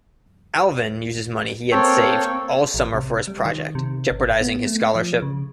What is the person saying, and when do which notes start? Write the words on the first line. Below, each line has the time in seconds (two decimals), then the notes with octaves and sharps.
Alvin uses money he had saved all summer for his project, jeopardizing his scholarship.
1.72 A#3 C4 A4 C#5 G5
2.74 A1
2.94 C3
3.28 G3
3.45 D#3
3.75 C3
4.11 G#1
4.41 B3
4.67 A3
4.96 F3
5.22 C#3